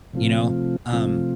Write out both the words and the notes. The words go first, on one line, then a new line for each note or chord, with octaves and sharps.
you know, um,
C3 F3 A3 C4 F4
C3 F3 A3 C4 F4